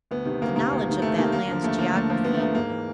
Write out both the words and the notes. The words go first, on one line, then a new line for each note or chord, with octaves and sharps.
The knowledge of that land's geography . . .
D2 B3
C3 D#3
D2 A#3
C3 D#3 A#3
D2
C3 D#3
D2 A3
C3 D#3 A#3
D#2 A#3
D3 F3
D#2 A3
D3 F3 A#3
D#2 A3
D3 F3 A#3
D#2 B3
A3
D3 F3 A#3
G#2 A#3
E3